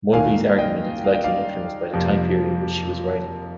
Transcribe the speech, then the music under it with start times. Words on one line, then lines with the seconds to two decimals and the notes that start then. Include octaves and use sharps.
Mulvey's argument is likely influenced by the time period in which she was writing.
0.13 D#2 D#3 A#3 F5 G#5
0.58 D#5 G5
1.04 F5
1.14 G5
1.24 D5 F5
1.93 F2 C3 F3 A#3